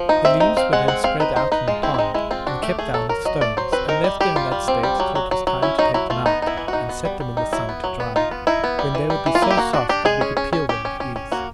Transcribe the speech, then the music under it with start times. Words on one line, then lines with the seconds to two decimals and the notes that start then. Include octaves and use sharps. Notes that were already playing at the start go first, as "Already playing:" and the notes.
The leaves were then spread out in the pond, and kept down with stones, and left there in that state till it was time to take them out and set them in the sun to dry, when they would be so soft that we could peel them with ease.
Already playing: F3
0.09 D#4
0.25 C4 E5
0.40 D#4
0.57 C4 F5
0.73 G#3 F#5
0.88 C4 F#5
1.04 C4 F5
1.20 D#4 B4
1.36 D#4 C5
1.52 D#4 B4
1.68 G#3 F4
1.83 C4 E4
1.94 E4
1.98 G#3 D#4
2.14 G#3 E4
2.31 C4 F4
2.47 D4 F#4
2.63 A3 G4
2.79 A3 G#4
2.94 F#3 A4
3.09 F#3 A#4
3.25 F#3 D#5
3.41 A3 D5
3.57 F#3 C5
3.72 C4 B4
3.88 D#4 A#4
4.04 G3
4.21 G3 G4
4.36 G3 F4
4.52 G3
4.68 C4
4.83 G3
5.00 F#3
5.15 F#3
5.31 F#3
5.47 F#3
5.62 C#4 E4
5.78 F#3 D#4
5.94 F#3 E4
6.10 A3 F4
6.26 B3 D#4
6.42 D#4 E4
6.57 E3
6.68 D#4 F#4
6.89 B3
7.05 G3
7.20 G3
7.37 D#4
7.53 F#3 E4
7.69 B3
7.84 F#3
8.00 B3
8.16 D#4 F4
8.31 B3
8.47 D#4 E4
8.64 B3
8.79 G3
8.95 E3
9.10 G3
9.26 E3
9.35 F4
9.42 A#3 E4
9.51 G4
9.57 A#3 F#4
9.73 D4 F#4
9.89 D4 G4
10.05 G#3 G#4
10.21 C#4
10.37 C#4
10.53 C#4
10.69 C#4 G4
10.85 C#4
11.00 C#4
11.16 C#4
11.32 A#3 F#4